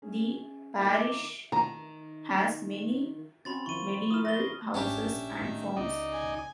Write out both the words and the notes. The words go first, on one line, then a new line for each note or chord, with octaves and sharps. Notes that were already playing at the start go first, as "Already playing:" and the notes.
The parish has many medieval houses and farms.
C#4 G#4
D#3 A#3 E4 D6
D#3 A#5
C4 C#4 F#4 B5 C6 A6
D#3 F3 E4 C#6 D#7
E4 F4 A#4 D#6 F6
A#6 G7
G#1 C#4 D4 G4 E5
A#1
A2 D#3
C#2 D#4 D5 D#5
G#5